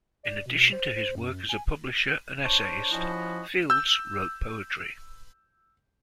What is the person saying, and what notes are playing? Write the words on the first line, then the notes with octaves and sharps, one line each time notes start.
In addition to his work as a publisher and essayist, Fields wrote poetry.
D5
B2
C5
C5
F#2
G#5
D4 C5 C#5
F3 C#4 E4 F#4 D#5
E6 G6